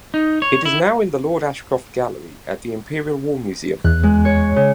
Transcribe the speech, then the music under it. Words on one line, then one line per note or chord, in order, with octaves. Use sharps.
It is now in the Lord Ashcroft Gallery at the Imperial War Museum.
D#4
C#5
E4
E2 F#6
G#3
C#5
C#3